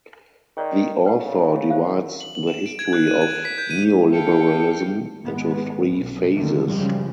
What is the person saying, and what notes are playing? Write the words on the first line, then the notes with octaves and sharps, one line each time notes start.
The author divides the history of neoliberalism into three phases.
D#3 G#4 C#5 D5
C#3 B4 F#5 G5
C5 E5 F5
F#7
F#7
E7
D7
G#6
F#6
D#7
G#6
B6
G6
D#7
E4 F5 G5 A5 C#7
G#1 G#3 B3
B1
D#2 D3 D#3 G3 A3
F#2 C#3 F3 G3 G#3